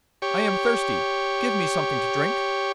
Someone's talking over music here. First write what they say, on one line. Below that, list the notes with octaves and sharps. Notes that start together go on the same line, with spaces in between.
'I am thirsty; give me something to drink.'
G4 C#5